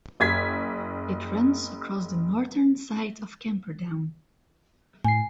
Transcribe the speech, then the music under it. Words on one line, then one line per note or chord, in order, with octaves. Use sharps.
It runs across the northern side of Camperdown.
F#1 G#6 B6
A2 G#5 C7